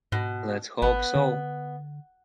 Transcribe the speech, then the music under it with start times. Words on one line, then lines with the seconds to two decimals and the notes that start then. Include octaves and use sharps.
Let’s hope so.
0.12 G#2 B2
0.82 G#1 B3
1.15 D3